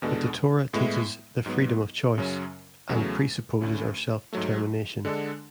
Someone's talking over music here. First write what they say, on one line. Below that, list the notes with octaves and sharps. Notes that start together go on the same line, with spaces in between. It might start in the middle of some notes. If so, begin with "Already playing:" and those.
But the Torah teaches the freedom of choice and presupposes our self-determination.
E2 B2 G#3 D4 A4
A2 G#3 B3 E4
G#2 F#3 B3
F#2 C#3 F#3 C#4
E2 C#3 F#3 A3
D2 D3 A3 C#4
G#2 F#3 A3
D3 G#3 D4 A4